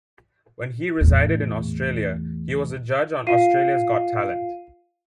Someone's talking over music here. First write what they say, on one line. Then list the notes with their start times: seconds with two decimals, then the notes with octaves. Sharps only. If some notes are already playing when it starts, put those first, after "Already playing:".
When he resided in Australia, he was a judge on "Australia's Got Talent".
1.01 E2 A2
3.27 F4 F5 C7 D#7